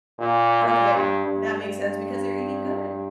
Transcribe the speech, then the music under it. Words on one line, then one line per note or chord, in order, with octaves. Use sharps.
Okay, that makes sense because they're eating good.
A#2
A#2
G2
G2
G2